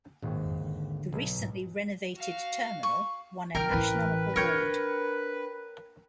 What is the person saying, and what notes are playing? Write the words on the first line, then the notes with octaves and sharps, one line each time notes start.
The recently renovated terminal won a national award.
G#1 D#2 A#2
F2
D3
B1
G#2
F#4 F5
C#6
D3 A#4 G5 F6
A1 E3 B4
D4 A#4 C#5 G5